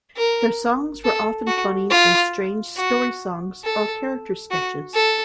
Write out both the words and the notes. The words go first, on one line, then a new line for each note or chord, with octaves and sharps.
Their songs were often funny and strange story-songs or character sketches.
A#4
A4
F#4
F4
F#4
A4
F#4
A4